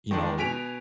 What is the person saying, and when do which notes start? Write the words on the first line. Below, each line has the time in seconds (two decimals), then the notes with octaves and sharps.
you know,
0.11 D#3 G#3 D4
0.38 B2 G#5 B6 D7 F7